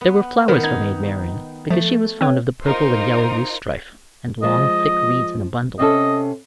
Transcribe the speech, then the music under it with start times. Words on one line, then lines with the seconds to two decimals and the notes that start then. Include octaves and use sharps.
There were flowers for Maid Marian, because she was fond of the purple and yellow loosestrife, and long thick reeds in a bundle.
0.01 B3
0.48 D#3 B3 A#4 F5
0.63 D#4 G#6
1.70 F3 A3
2.21 C4 B4 C#5
2.63 D#4 F4 A#4 C5
4.43 F3 G#3 D#5
5.79 C3 C#4 A4 D#5